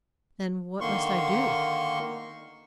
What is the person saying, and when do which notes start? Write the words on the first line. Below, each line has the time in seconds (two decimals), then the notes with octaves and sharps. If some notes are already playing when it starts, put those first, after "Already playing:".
'Then what must I do?'
0.81 D3 D#3 A#3 C6 C#6